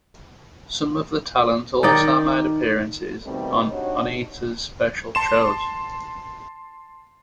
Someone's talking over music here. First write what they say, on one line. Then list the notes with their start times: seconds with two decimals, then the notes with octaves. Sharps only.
Some of the talent also made appearances on Onita's special shows.
1.83 D#3 D#4 D5 G5
3.24 B2 D#3 G3 A3 C4 D#4
3.70 D4 D#4 F#4 G4 C#5
5.15 A5 C6 E7